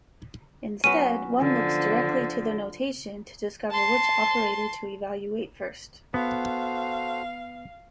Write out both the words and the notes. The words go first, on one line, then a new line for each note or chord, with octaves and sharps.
Instead, one looks directly to the notation to discover which operator to evaluate first.
F#3 B3 C#4 D#7
D3 F3
A5 C6
B3 F#4 A4 C5 F5